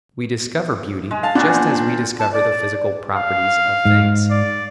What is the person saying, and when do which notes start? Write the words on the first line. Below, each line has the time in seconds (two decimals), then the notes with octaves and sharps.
We discover beauty just as we discover the physical properties of things.
1.11 G#3
1.23 F5 A5
1.35 A#2 C#3 B3 D4
1.54 C5
2.19 A5
2.33 D5
3.16 F5
3.85 G#2
4.30 D5